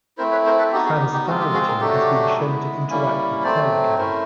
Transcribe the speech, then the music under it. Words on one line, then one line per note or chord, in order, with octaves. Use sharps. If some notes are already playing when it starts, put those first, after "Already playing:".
Transthyretin has been shown to interact with Perlecan.
A3 C4 E4 A#4 C5
B4 C#5
A#4 C5
A4 B4
B3 D#4 F#4 G4 A4
F#4 G#4
G4
G4
G#3 C4 F4 F#4
G4
F#4 G#4
G#4 A#4
F#3 A3 D4 F#4 G4 A4
G#3 B3 E4
G3 A#3 C#4 E4
F#3 A3 C4 C5 D5
A3 C#4 E4 A#4 C5